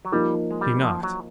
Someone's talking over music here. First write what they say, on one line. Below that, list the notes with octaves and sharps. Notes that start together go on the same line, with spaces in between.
He knocked.
F#3
F3 G3 A#3 D#4
G#3
G3
F3
F#3